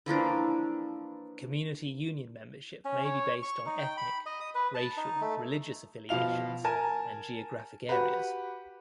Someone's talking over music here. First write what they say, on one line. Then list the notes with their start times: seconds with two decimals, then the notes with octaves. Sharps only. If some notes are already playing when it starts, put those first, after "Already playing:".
Community union membership may be based on ethnic, racial, religious affiliations and geographic areas.
0.06 E3 F3 A#3 D4
2.85 C#4
3.05 C#5
3.43 C#6
3.66 D#4
3.78 G5
3.97 B5
4.26 D#5
4.40 D#6
4.55 B4
4.75 A5
4.97 D#4
5.21 A3
6.09 B2 F3 F5 F7
6.64 A#4 G#5 A5
7.89 F#4 G4 B4